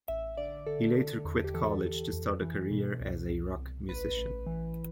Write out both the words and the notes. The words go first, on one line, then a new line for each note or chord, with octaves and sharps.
He later quit college to start a career as a rock musician.
A1 E5
D3 D5
D3 A4
D3
E2
G4
E3 A4
E3
F2
E3
B2
C2
C2
C2
A1 B4
A1
E3